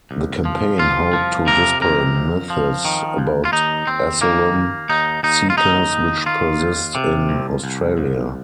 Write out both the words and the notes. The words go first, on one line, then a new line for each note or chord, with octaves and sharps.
The campaign hoped to dispel myths about asylum seekers which persist in Australia.
C2
F3
C2 F4
F3
C3 A#4
F2 A#4
F2
F3
D#3
D#2
F4
D#2 D#4
D#2 C4
D#3 A#3
D#2
D#2 D#4
D#2 D#4
F4
D#2 D#4
D#2
D#3 F4
D#2
C3
C2
C2
C2